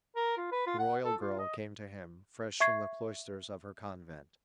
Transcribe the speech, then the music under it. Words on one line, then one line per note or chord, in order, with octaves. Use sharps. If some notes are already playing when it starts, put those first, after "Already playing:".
The royal girl came to him fresh from the cloisters of her convent.
A#4
F4
B4
F4
F#5
A4
F4
D#5
E5 C#6 G#6 C7